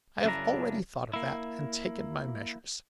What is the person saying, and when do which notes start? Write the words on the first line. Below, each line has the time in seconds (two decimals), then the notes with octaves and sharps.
I have already thought of that, and taken my measures.
0.24 F#2 C#3 D4 E4 A#5
1.14 A#3 E4